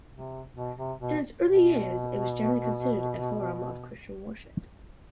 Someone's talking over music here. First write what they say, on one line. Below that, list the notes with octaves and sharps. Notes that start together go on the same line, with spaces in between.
In its early years it was generally considered a forum of Christian worship.
C3
B2
C3
B2
B2